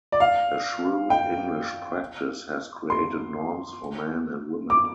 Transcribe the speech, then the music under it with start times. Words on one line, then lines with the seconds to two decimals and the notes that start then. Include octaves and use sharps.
A shrewd English practice has created norms for men and women.
0.12 D5
0.20 F5
1.10 G5
2.90 C6
4.70 D6